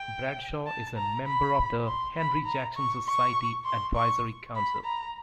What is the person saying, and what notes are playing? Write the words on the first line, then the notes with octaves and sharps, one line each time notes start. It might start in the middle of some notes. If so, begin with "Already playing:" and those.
Bradshaw is a member of the Henry Jackson Society Advisory Council.
Already playing: G5
A5
A#5
B5
C6
B5
A#5
C#6
C#6
C6
C#6
B5
A#5